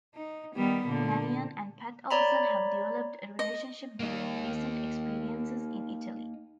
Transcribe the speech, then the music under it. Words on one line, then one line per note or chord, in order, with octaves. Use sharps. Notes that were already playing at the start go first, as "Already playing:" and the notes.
Lanyon and Pat Olsen have developed a relationship during recent experiences in Italy.
D#4
D#3 G3 B3
A#2 D3
C#5 D5 A#5 B5
D#5
A#3 D#4